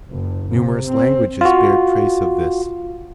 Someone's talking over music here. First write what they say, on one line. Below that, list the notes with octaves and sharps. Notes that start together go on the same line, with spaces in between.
Numerous languages bear trace of this.
F#1
C3
C4
F4 F#4